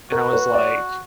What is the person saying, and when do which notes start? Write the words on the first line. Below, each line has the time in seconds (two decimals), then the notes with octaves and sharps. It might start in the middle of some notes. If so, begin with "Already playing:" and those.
And I was like,
0.11 F#4 A#4
0.33 B4
0.55 D5